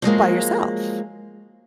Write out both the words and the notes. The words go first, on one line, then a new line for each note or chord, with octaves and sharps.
by yourself,
F3 F#3 G#3 A#3